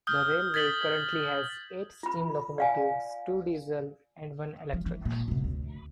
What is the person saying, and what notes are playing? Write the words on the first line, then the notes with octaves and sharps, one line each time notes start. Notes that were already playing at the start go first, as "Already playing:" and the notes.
The railway currently has eight steam locomotives, two diesel and one electric.
D#6 F6 G6 G7
G#6 A6 B6 F#7 G7
F4 B5
D5 F5 G#5
F3
E3
A#2
F#2 C3
D2